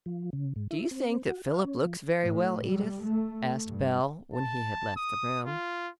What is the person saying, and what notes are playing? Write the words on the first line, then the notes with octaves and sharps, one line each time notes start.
"Do you think that Philip looks very well, Edith," asked Belle when he had left the room.
F3
C#3
G#2
E4
C4
F#4
F5
C#4
F3
A2
G3
A3
G2
A5
D#6
F4